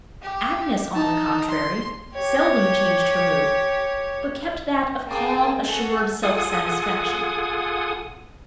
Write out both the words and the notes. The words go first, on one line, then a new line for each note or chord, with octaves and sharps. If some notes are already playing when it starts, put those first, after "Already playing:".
Agnes, on the contrary, seldom changed her mood, but kept that of calm assured self-satisfaction.
G4
D#4 A5
C6
G4 C#5
A#3 G#4 G5 A5
F#4 G#4 A4
F4 G#4 A4 F#5 G#5 D#6